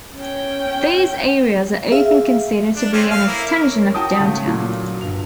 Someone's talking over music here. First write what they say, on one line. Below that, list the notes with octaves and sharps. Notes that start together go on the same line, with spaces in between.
These areas are often considered to be an extension of downtown.
C#4 G5
G#4 E5 F5
D4
A3 C4 C#4
F5
A#3 E4
C#4 A#4
F#4 G5 A5 D#6
C#3 A3
A#2 F#3
G1 F7